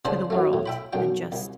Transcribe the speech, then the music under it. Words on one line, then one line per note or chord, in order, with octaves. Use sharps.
to the world than just
C2 C#3 D4 B4 C5 A5
F#2 F#3 A3
A2
E5 G5 B5
B1 F#2 G5
C2